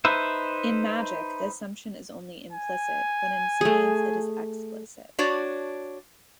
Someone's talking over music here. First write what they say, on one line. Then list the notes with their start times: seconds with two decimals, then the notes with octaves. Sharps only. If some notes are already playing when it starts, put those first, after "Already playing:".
In magic, the assumption is only implicit, but in science it is explicit.
0.05 D#4 B4 C5 E5
2.52 G#5
3.61 A3 G#4
5.19 D4 F#4 C#5 D5